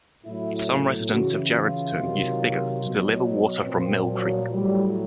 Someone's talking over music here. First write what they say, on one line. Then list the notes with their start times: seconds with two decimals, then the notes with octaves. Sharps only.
Some residents of Gerrardstown use spigots to deliver water from Mill Creek.
0.25 A2 F#3 E4
1.11 C#3 E3 F#4
1.54 F4
1.96 C3 D#3 F#3
2.81 B2 F#3
3.67 A#2 F3 C4
4.10 F#3
4.53 A2 F#3 G3